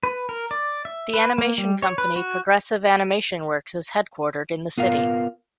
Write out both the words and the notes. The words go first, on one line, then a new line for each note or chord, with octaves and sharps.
The animation company Progressive Animation Works is headquartered in the city.
B4
A#4
D5
E5
B4
A#3
G3
C#5
B4
F#4
B3 F4 A#4 F5